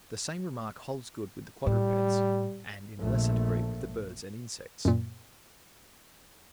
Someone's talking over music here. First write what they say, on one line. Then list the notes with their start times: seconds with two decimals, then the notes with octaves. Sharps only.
The same remark holds good with the quadrupeds, and in a lesser degree with the birds and insects.
1.66 A2 G3
3.01 A#1 A#2 A3
4.85 F#2 A#2